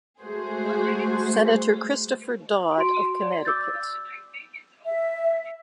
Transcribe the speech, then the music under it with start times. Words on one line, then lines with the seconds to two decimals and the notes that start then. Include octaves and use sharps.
Senator Christopher Dodd of Connecticut.
0.21 G#3 A3 F#4 G#4 C5
2.78 F#4 C6 D7
3.22 D5
3.45 D6 E6 G6 A6
4.86 E5